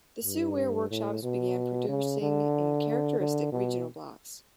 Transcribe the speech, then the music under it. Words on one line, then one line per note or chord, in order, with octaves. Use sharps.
The Sue ware workshops began producing in characteristic regional blocks.
G2
A2
B2
C#3
D3
D3
B2